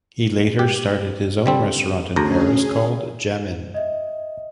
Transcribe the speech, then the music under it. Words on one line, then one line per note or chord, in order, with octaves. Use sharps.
He later started his own restaurant in Paris called "Jamin".
G4
D3 G3 C4
D2 C#4 G#4 A#5
D#5 E5